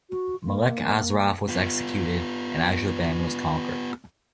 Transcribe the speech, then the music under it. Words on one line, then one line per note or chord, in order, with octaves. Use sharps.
Malek Asraf was executed, and Azerbaijan was conquered.
F#4
A#3
B3 F4